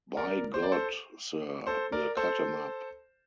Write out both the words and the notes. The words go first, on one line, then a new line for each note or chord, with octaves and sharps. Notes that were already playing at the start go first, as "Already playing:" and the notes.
By God Sir, we'll cut 'em up!
A#4 D5
C5
D5
A4 C5
A4 C5
A#4 D5
A4 C5